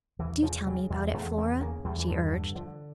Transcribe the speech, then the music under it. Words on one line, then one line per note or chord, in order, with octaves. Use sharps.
"Do tell me about it, Flora," she urged.
E2 E3
C#3 F3
C#3 G3
E2 G3
E2 A3
C#3 A#3
C#3 A#3
E2 G3
E3
G2 F3
D3
D3 F3